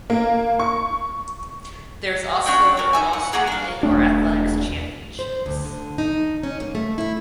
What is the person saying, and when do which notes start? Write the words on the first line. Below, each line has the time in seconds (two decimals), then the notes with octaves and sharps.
There is also an Austrian Indoor Athletics Championships.
0.10 A#3
0.59 C#6
2.46 C#4 D4 F#4 G5
2.77 A4 A#4
2.93 D#4 E5 G#5
3.13 F#5
3.32 A#3 F#4 G#4 A#5
3.47 D4 F5
3.83 E1 A3 D4
5.19 C5
5.46 D2
5.65 D3
5.98 D#4
6.43 C#4
6.60 A#3
6.75 A3
6.98 E4